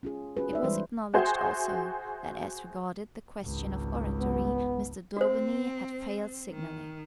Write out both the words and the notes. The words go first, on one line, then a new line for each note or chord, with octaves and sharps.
It was acknowledged also that as regarded the question of oratory Mr. Daubeny had failed signally.
C#4 F4 G#4
C#4 F4 F#4 G#4 B4
D#4 D5 E5
E3 G3 G#3 B4 C5
F#4 G#4 C5 E5 G5
G#1 C#2
B3
C4 F#4 C5
D#3